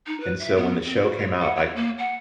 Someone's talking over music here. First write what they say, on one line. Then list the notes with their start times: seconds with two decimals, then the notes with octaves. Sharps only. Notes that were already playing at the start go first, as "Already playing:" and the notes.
and, so when the show came out, I
0.07 D#4
0.20 B4
0.40 E5
0.56 B3
0.86 C4
1.00 F#4
1.18 C#5
1.40 F#5
1.56 C#5
1.76 A#3
1.98 F#5